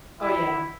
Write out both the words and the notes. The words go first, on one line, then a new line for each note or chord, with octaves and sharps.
Oh, yeah.
E4